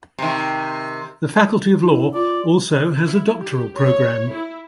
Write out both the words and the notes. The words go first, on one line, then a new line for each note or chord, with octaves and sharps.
The Faculty of law also has a doctoral program.
C3 D#3
E4
F4 D5
E4
G4
C#5
E4